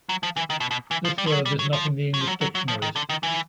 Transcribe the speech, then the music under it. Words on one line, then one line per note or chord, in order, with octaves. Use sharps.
This verb is not in the English dictionaries.
F#3
F3
E3
D#3
B2
B2
E3
F3
G3
F3
F#3
G3
F#3
F3
F#3
F3
F#3
F#3
F#3
F3
D#3
D3
D#3
E3